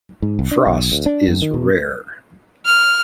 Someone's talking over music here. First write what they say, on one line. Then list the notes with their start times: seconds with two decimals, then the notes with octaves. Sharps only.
Frost is rare.
0.22 G#2
0.39 C2
0.51 D4
0.67 B1
0.92 D2
1.06 D4
1.28 F#2
1.42 D#3
1.54 B2
2.65 F6